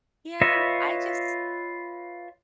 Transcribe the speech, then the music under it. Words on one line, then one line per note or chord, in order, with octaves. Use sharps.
Yeah, I just
F4 B4 C#5 D#5 E5